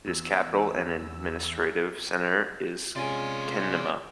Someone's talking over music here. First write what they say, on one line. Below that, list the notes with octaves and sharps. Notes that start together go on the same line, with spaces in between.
Its capital and administrative centre is Kenema.
E2 E6
C3 G#3 C#4 F4 D5 G#5